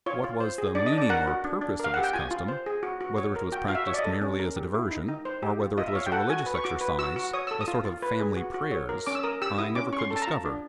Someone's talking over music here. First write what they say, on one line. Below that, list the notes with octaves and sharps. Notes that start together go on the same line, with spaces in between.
What was the meaning or purpose of this custom, whether it was practiced merely as a diversion, or whether it was a religious exercise, a sort of family prayers, I never could discover.
F4 C#5
F4
C5
G#4
D4 D5
D#5
D4
D5
A#4 F#5
F#4
D4
D4
A#4 F5
G4 F#5
G5
F4 G#5
F4
C5
G#4
F#4
F#4
C#5
A#4
F#4 G5
F#4 F5
E5
C#5
D5
D#5
A4
C#4
A#4
G4
E4
D#4
D#4
C5
G4
F4
F4 D#5
E5
C#5 F5
G5
A4 F#5
F#4 G#5
B4
C#6
F#4 D6
B4
F#4 E6
F#4
C#5 D#6
A4 E6
D#6
F4
F4
B4
G#4
F#4
F#4
C#5
A#4
C#4 D6
E6
A#4 D#6
G4 E6
E4 D#6
C#4 D6
C#4 C#6
C6
A4
A5
A#5
F4
D4